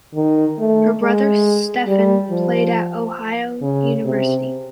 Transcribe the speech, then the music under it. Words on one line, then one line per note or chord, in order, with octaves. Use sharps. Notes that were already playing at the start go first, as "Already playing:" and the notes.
Her brother, Stephen, played at Ohio University.
D#3
A3
G#3
G3
F3
C#3
C3